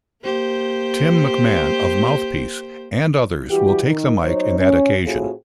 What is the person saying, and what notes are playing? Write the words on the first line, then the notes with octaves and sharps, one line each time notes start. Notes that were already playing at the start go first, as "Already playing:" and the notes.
Tim McMahon of Mouthpiece and others will take the mic in that occasion.
A#3 G4 C5
E3 G3 F#4 G4
D#3
F#3 D#4 C5 C#5
C#4
A2 C4 F4 F#4 G#4